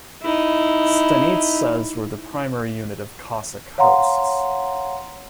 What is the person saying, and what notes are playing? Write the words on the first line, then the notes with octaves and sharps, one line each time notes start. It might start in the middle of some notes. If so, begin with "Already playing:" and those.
Stanitsas were the primary unit of Cossack hosts.
D#4 E4
C#5 F5 F#5 A#5 C6